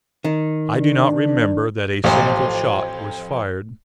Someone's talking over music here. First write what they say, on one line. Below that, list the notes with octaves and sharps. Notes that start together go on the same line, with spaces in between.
I do not remember that a single shot was fired.
D#3
D4
A1 F2 C5